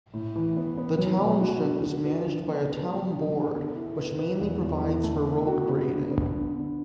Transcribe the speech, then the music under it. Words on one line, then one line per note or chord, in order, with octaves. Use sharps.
The township is managed by a town board which mainly provides for road grading.
A2
E3
B3
B3
F#3
B2
F#4
D3
F#4
B4
D3
B3
B4
A3
D4
D4
B3
E4
B4
B4
E2
E2
E3
A3
B3
F#4
B3
D3
B3
D3
D4